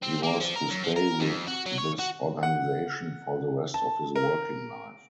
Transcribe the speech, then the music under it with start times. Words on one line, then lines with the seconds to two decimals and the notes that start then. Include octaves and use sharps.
He was to stay with this organisation for the rest of his working life.
0.03 C4
0.23 A#3
0.40 F3
0.55 A#4
0.70 F#2
0.84 F3
0.96 A#4
1.20 F2
1.47 F#4
1.66 F#3
1.78 C#5
1.99 F#4
2.43 F#5
3.74 A5
4.15 A#4